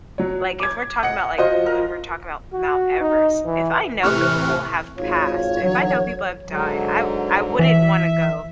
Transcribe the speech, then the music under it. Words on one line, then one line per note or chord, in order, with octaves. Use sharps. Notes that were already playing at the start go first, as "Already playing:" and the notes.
like if we're talking about like when we're talking about Mount Everest, if I know people have passed, if I know people have died, I I wouldn't wanna go
F#3 C#5
D6 G#6
D#5 F#5 C#7
F3 F4 F#4 C5 D#5
A#4
F#4
D#4
E3
A2 C3 E3 C#6 F6 F#6
G#1 F4 C#5
D3 E3 F#3
G#2 D3 F#3
E3 E5